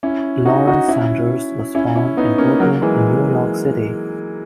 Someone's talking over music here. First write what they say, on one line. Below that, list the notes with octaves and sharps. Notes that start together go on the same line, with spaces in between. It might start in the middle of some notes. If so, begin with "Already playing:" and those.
Lawrence Sanders was born in Brooklyn in New York City.
C#4 E4
D#4 F#4
D#4 F#4
C#4 E4
C#4 E4
C#4 E4
B3 D#4
A#3 C#4
F#3 A#3
E3 G#3